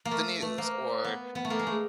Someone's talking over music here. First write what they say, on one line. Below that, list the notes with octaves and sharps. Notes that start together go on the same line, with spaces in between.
the news" or,
A#3
A3 A#4
A3 B4
A#3 C5
B4
C5
B3 B4
B3
A3
A#3 A4
G#3
A3 A4
G#4